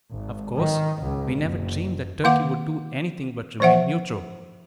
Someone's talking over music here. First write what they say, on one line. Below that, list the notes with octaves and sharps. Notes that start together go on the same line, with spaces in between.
Of course, we never dreamed that Turkey would do anything but remain neutral.
G#1
D#3
C#2
F#1
D#3 A#3 F5 F#5 D6
E3 F3 C5 E5 F#5